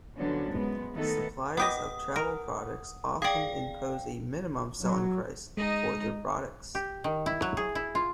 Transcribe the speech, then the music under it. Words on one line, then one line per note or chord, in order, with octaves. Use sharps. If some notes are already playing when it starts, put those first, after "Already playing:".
Suppliers of travel products often impose a minimum selling price for their products.
D3 F3 F#3 B3 C#4 D4
F#2 G#3 B3
D#3 A3 B3 D#4 A4
B3 G4 D#5 F#5 D#6
A#4
G#4 D5 F5 G5
F#3
G#3 D#4 G#4 D#5
G4
D#3
E4
F#3
G#4
E4
F4